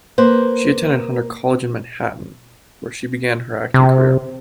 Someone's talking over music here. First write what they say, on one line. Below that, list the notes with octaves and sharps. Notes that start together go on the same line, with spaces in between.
She attended Hunter College in Manhattan, where she began her acting career.
A#3 B4 C5
C3